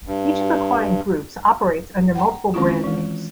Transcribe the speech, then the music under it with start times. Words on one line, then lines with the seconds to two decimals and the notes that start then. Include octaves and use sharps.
Each of the client groups operates under multiple brand names.
0.07 G2
2.15 F#5 G5 A#5
2.54 D#3 G#3 C4 C#4 E4 F4
2.84 E3 G#3